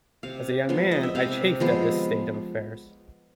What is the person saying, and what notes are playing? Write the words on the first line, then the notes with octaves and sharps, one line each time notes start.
As a young man, I chafed at this state of affairs.
C3 F5
F3 G#3 B3
D#5
E5
C3 F5
F3 G#3 B3